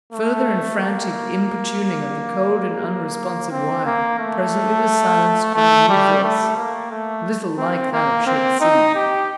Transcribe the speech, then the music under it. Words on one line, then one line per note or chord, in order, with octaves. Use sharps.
Further and frantic importuning of the cold and unresponsive wire presently was silenced by a new voice, little like that of Shaik Tsin.
A3
A#3
C4
A#3
A3
A3
G3
A3
A#3
A3
C4
A#3
C4
D#4
G4